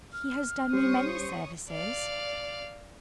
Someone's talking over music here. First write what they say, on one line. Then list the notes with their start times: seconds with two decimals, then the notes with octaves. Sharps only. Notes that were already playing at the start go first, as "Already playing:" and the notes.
"He has done me many services."
0.13 F6
0.73 G3 C#4 G4 C5 C#5 C#6 D#6
1.70 D5 F5